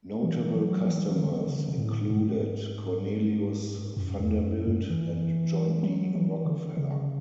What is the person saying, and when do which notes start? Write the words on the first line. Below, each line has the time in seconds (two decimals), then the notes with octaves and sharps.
Notable customers included Cornelius Vanderbilt and John D. Rockefeller.
0.23 E3
0.54 F#3
0.85 E3
1.11 E3
1.16 D3
1.47 C#3
1.57 D3
1.68 C#3
1.78 A2
2.10 G#2
3.97 F#2
4.20 E2
4.43 F#2
4.67 F#2
4.90 E3
5.83 F#3
6.15 E3
6.45 D3
6.77 C#3